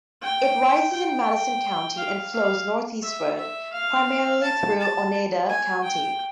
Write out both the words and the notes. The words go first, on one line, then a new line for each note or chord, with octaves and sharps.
It rises in Madison County and flows northeastward, primarily through Oneida County.
G5
G5
F5
F5
E5
E5
F5
A5
A5
G#5
G5